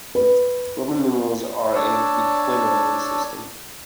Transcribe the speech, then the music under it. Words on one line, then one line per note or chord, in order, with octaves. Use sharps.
Roman numerals are a biquinary system.
B4
D4 C#5 A5 E6